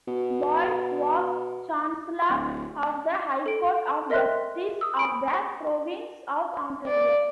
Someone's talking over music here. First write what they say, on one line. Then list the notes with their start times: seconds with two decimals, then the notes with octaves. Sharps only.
Boyd was Chancellor of the High Court of Justice of the Province of Ontario.
0.08 B2
2.29 D1
3.46 A4 D7
4.10 A#4 D#5 E5 C6 F#6
4.81 D#6 E6
4.97 B5 D7
6.88 D5